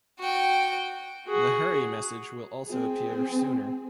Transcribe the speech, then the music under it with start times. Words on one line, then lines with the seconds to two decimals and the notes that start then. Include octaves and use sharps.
The "Hurry" message will also appear sooner.
0.19 F#4 G5
1.27 F#4 G#4
2.67 C4 G#4